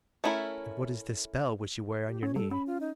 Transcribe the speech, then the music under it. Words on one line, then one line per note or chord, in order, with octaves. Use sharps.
"And what is this bell which you wear on your knee?"
A3 C#4 E4 A4 A#4
G4
C#4 C#5
G3 A4
C#4 B5
F4
D#4